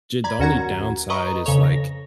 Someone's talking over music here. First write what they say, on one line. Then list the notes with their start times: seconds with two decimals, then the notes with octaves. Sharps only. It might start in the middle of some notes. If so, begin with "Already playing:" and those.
ju The only downside is, like
0.24 D5 A#5 B5 G#6
0.39 D#2 C#4 F#4 F#5 A#5 G#6
1.10 B4 D#5 A#5 B5 C#6 D#6
1.46 F2 C#3 A4 C#5
1.64 A#6